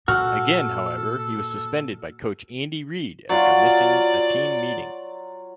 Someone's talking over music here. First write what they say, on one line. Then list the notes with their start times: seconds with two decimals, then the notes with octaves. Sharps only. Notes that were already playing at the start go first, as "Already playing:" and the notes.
Again however, he was suspended by Coach Andy Reid after missing a team meeting.
0.08 A#2 F#4 A4 F6
3.30 F#3 F4 D5